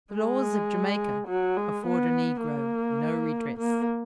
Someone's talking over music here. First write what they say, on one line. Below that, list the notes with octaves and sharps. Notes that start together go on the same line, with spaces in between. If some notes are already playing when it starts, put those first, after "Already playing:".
The laws of Jamaica afford a Negro no redress.
G#3
F#3
G#3
B3
A#3
A#3